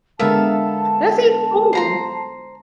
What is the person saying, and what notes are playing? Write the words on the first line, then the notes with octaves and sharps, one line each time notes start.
That seems cool.
D3 G#3 B3 A4 A#4 E5 F5 A5
C5 A#5 C6